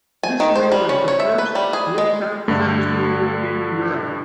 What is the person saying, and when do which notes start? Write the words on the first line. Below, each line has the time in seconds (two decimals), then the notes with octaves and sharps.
This wheel is the first rooftop Ferris wheel in Europe.
0.23 G#5
0.40 D#3
0.56 C5
0.72 G3
0.89 C#4
1.08 C#5
1.20 E5
1.38 B4
1.55 G3
1.73 G#4
1.98 G#3
2.48 G2 D3 A3